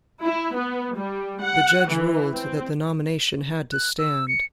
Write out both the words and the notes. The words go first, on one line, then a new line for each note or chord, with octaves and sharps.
The Judge ruled that the nomination had to stand.
E4
B3
G3
F#5
E3
C4
F#6
E6
C#7